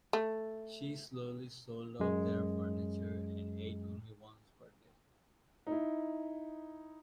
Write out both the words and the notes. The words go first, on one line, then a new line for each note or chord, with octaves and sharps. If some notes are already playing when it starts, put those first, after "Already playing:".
She slowly sold off their furniture and ate only once per day.
A3
F#2 G#3
D#4 E4